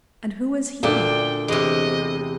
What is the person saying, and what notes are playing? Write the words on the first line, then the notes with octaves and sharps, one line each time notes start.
And who was he?
D2 A#2 D4 D5 E5 G5
E2 C3 D#5